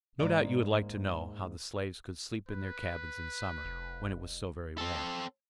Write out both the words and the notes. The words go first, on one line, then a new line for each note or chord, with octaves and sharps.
No doubt you would like to know how the slaves could sleep in their cabins in summer, when it was so very warm.
G#2 C3 A#3 D5
B4
F1
C4 A4